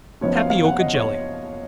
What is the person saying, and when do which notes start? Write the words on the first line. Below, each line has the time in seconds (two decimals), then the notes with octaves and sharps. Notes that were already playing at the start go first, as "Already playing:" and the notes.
Tapioca Jelly.
0.21 F#1 F#2 F3 B3 D#4 C#5
0.36 F5
0.50 F5
0.65 F#5
0.80 D#5
0.94 C#5